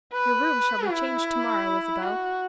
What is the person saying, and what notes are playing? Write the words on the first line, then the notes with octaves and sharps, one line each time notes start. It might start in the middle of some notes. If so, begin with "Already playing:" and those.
"Your rooms shall be changed to-morrow, Isabel."
B4
E4
F#4